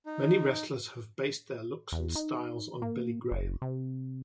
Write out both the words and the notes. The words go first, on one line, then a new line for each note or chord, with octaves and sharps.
Many wrestlers have based their looks and styles on Billy Graham.
D#4
E2
D#4
A#3
F#1
C3